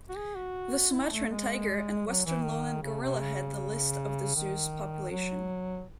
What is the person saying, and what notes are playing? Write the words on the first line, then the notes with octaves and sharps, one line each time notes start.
The Sumatran tiger, and western lowland gorilla head the list of the zoo's population.
F#4
G#4
F#4
E4
A3
G#3
F#3
E3
D#3
C#3
C3
C#3
D#3
F#3